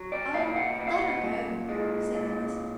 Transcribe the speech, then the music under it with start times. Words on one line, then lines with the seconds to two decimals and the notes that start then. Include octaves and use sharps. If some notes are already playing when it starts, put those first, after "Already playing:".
"Oh, let her go!" said Louis.
Already playing: F#3
0.12 D5
0.34 A#2 F5
0.56 F#5
0.79 A#2 F#5
0.87 F5
0.95 F#5
1.24 A#2
1.69 G#3
2.14 A#2